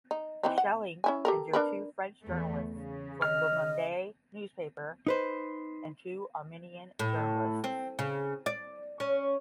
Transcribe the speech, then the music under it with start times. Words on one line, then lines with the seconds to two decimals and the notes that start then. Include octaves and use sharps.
The shelling injured two French journalists from "Le Monde" newspaper and two Armenian journalists.
0.11 D#4
0.43 E3 C4 D#4
0.58 F#5
1.04 C#4 E4 G#5
1.25 G4 A4 A#4
1.53 D4 A#4 B4
2.23 E2 A3
2.71 C#3
3.22 D#5 F6
5.07 D#4 B4 C5
6.99 A2
7.64 C4
7.99 C#3
8.46 D5
9.00 C#4